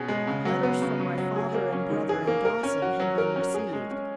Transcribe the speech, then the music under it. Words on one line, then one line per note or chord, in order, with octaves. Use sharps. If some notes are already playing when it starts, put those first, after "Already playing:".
Letters from my father and brother in Dawson had been received.
Already playing: B2 C#4 G#4
G#3
C#3
F#3
B3
C#3
C#3
F#3
G#4
A#3
C#4
D#3
G#4
A#3
A#4
C#4
F#4
F#3
A#4
C#4
G#4
G#3
C#4